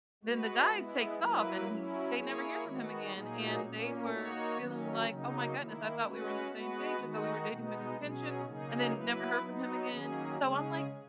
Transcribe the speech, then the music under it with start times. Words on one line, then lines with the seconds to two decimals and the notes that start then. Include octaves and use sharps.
then the guy takes off and he they never hear from him again. And they were feeling like, oh my goodness, I thought we were on the same page. I thought we were dating with intention and then never heard from him again. So I'm like,
0.24 G#3 B3 F#4 B4
0.71 G#3 B3 E4
1.19 F#3 A#3 E4 B4
1.68 F#3 C#4 E4
2.16 A#3 E4 G#4 C#5
2.64 D#3 G#3 B3 F#4
3.13 A#2 F#3 A#3 D#4 G#4
3.62 A#2 A#3 C#4
4.10 A#3 D#4 F#4 C#5
4.58 D#3 F#3 C#4
5.07 C#3 F#3 A#3 D#4
5.55 D#3 A#3 E4
6.03 G#3 C#4 F#4 B4
6.51 G#3 B3 F#4 B4
7.00 D#3 G#3 D#4 F#4
7.48 B2 G#3 B3 D#4
7.97 B2 F#3 C#4 G#4
8.45 C#3 F#3 A#3 D#4 G#4
8.94 F#3 B3 E4 B4
9.42 F#3 B3 D#4
9.90 D#3 F#3 A#3 C#4 G#4
10.38 C#3 G#3 C#4 G#4